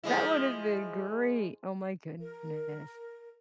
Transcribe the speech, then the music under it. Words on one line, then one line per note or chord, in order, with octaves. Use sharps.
that would have been great. Oh, my goodness.
F3 G#3 E4
A#4